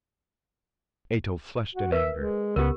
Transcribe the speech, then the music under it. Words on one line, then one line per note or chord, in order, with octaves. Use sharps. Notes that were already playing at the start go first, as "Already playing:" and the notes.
Ato flushed in anger.
F#4
A#4 B4 E5
G#3
C#2 B3 G4 A#4